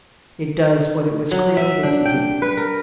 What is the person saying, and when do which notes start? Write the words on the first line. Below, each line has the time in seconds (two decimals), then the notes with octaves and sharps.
It does what it was created to do.
1.31 F#3
1.57 E5
1.83 D4
2.05 G5
2.42 B4
2.57 A#4